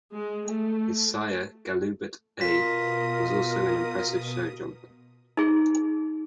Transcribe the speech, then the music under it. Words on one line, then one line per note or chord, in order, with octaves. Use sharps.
His sire, Galoubet A, was also an impressive show jumper.
G#3
A3
B2 F4 A#4 D#6 B6
D#4 G#4